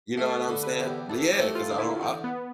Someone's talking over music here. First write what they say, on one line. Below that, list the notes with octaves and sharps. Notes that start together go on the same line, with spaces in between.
You know what I'm saying? L yeah, 'cause I don't I
A3 E5
A4
B4
D3
B4
E2
G4
E2 A4
G4
A3
F4
D3
E4
E2
B3